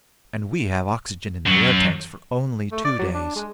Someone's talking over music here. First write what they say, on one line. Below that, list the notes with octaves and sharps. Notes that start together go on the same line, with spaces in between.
"And we have oxygen in the air tanks for only two days."
F#2 F#3
A3
D5
F#3
D4
G#3